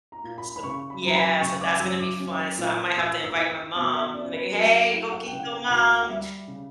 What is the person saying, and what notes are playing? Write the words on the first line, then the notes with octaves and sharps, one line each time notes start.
So yeah, so that's gonna be fun. So, I might have to invite my mom, like, "Hey, coquito, mom."
A#5
A#2
B5
B5
C#3 C#6
B5
F#2 A#5
B5
C#3 C#6
D6
F#2 E6
D6
C#4
A#2
A#2 E6
E6
E4
E6
B2 D6
E5
C#4 D5
B4
F#3 A#4
F#5
E4 F#5
F#5
G5
C#3
F#5
G5
D2 F#5
F#5
G3 E5
C#3